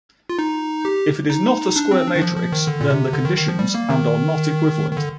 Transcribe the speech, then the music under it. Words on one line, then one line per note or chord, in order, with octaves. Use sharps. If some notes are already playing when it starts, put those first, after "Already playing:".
If is not a square matrix, then the conditions and are not equivalent.
F4
D#4
G4
D#4
D4
C4
D4
D#3
F3
F3
D#3
D3
A#2
C3
D3
D#3
D#3
F3
G3
A#3
D#3
D#3
D3